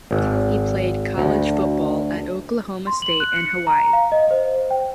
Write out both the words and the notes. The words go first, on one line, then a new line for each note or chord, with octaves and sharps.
He played college football at Oklahoma State and Hawaii.
G#1
D2
C6
F#7
F#6
C#7
A#5
F5
D#5
C5
G5